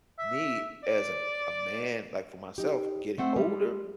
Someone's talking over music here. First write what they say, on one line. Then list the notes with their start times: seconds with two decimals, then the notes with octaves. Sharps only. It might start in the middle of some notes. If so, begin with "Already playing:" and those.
me as a a man, like for myself, getting older,
0.19 E5
0.84 D5
2.58 D#4 G4
3.18 A3 C4 F#5
3.36 G3 G#3